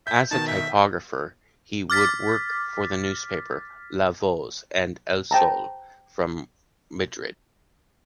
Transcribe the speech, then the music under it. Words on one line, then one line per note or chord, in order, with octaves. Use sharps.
As a typographer he would work for the newspapers “La Voz” and “El Sol” from Madrid.
E5 G6
B2 D#3 D#4 A5
E5
D6 F6 A6 B6
C5 G5 A5 A#5